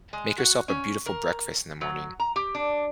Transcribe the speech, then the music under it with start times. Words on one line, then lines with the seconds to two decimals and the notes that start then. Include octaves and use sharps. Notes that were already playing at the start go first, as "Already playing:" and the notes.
make yourself a beautiful breakfast in the morning.
0.13 G#3
0.38 F#4
0.68 C#4
1.06 A#4
1.81 F#3
2.20 A#5
2.36 G4
2.55 D4